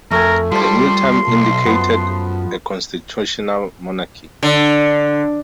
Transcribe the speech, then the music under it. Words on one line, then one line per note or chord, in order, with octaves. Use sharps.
The new term indicated a constitutional monarchy.
F2 A3 A#4 G#5
F3 G3 A5 C6
B1
F#2 F3 B3
D3